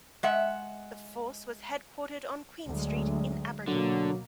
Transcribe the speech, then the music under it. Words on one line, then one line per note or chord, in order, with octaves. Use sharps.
The force was headquartered on Queen Street in Aberdeen.
G#3 E5 F#5
D2 F#3 G#3
B2 D3 F#3 A#3